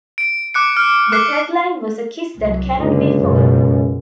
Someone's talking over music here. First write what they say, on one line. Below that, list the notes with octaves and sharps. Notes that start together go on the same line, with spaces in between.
The tagline was A kiss that cannot be forgotten!
D7
D6 F#6 C#7
F6
D6 F#6 C7
C2 F#3
F#1 C#2 D3
F#2 B2